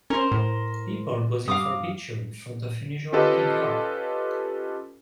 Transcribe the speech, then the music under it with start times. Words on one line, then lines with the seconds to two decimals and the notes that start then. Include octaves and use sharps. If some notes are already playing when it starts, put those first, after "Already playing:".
People posing for a picture in front of an unusual looking car.
0.10 C#4 A#4 C5
0.31 A2
1.48 G2 F5 D6 D#6
3.13 C#4 F4 G4 A4 B4 D#5